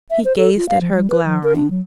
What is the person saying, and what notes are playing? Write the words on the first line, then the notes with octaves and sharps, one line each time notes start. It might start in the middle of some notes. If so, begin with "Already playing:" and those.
He gazed at her, glowering.
E5
C5
A4
F4
F5
F3
G3
B4
F3
A#4
D4
F#3